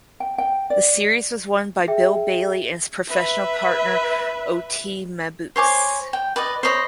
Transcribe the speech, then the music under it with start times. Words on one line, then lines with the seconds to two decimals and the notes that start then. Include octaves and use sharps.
The series was won by Bill Bailey and his professional partner Oti Mabuse.
0.20 G5
0.38 G5
0.70 D5
1.88 G#4 E5 G5
3.08 B4 E5
5.56 C5 C#5 G#5 D6
6.13 G5
6.36 B4 D5 D#5
6.63 C5 C#5 D#5 B5